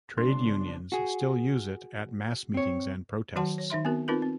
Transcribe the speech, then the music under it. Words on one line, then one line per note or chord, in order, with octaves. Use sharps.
Trade unions still use it at mass meetings and protests.
G1 C#3 D4 C6
F#4 G#4
C4 C#5
D#3 F#3 F#4 F#5 A5 C6
C#5
D#3 D#4 E5 C6
B3 C4 F#4 A#4
C4 D#4 F4 A#4 B4
C4